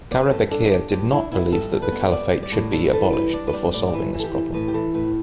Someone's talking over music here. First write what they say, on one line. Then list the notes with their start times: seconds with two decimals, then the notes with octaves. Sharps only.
Karabekir did not believe that the caliphate should be abolished before solving this problem.
0.11 B3 D5
0.21 B4
0.31 G2 A4
0.51 D4 A4
0.71 D4 G4
0.92 G2 G4
1.12 D4 E4
1.32 B3 E4
1.52 G2 A4
1.72 G3
1.82 B4
1.92 B3
2.12 G3 D5
2.32 G3
2.43 D5
2.52 A2
2.73 D4 A4
2.93 E3 A4
3.13 G3 B4
3.33 D4 D5
3.47 B4
3.53 G3 D5
3.73 A2 D5
3.87 D5
3.93 E3 B4
4.14 E3
4.20 A4
4.23 G4
4.34 E3
4.53 A2 B4
4.68 G4
4.74 E3 A4
4.94 A2 B4